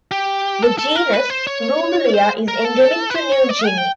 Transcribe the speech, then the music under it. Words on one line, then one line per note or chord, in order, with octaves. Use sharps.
The genus "Lobulia" is endemic to New Guinea.
G4
A4
A4
A#4
B4
C5
C#5
C5
A#4
A4
B4
C5
C#5
D5
G#5
G5